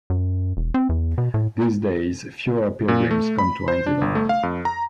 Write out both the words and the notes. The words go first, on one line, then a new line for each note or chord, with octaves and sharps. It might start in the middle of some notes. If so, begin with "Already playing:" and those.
These days, fewer pilgrims come to Einsiedeln.
F#2
E1
C4
E2
B2
A2
A#2
A3
B5
C5
D4
G1
A3
F5
F2
A#5